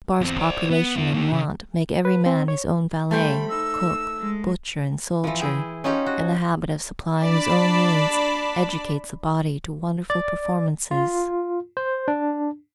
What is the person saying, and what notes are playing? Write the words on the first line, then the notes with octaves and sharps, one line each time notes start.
A sparse population and want make every man his own valet, cook, butcher and soldier, and the habit of supplying his own needs educates the body to wonderful performances.
E2 C4
C5 D5
B3
B3 E4
A#3 D#4
C#3
B4
C4
C#5
G3 A3 C5 G5 B5
D#4 E6
G#3
E3 F3
E4 G#4 G5
C#4 D#4 F4 G4 C#5
F#4
D4 D5 A5 B5
D5
F4
C5
D4